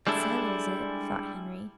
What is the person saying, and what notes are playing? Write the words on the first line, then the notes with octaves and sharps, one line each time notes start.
"That settles it," thought Henry.
G3 G#3 D4 E4 A4